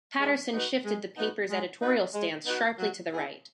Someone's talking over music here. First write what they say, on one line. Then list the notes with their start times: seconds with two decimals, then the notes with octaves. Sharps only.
Patterson shifted the papers' editorial stance sharply to the right.
0.20 G#3
0.52 B3 D#4 F#4 B4
0.85 G#3
1.17 B3 D#4 F#4 B4
1.49 G#3
1.82 B3 D#4 F#4 B4
2.14 G#3
2.46 B3 D#4 F#4 B4
2.79 F#3
3.11 B3 E4 G#4